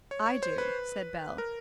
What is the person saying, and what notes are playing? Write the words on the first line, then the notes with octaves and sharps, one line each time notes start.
"I do," said Bell.
C#5
C#5
C5
B4
A#4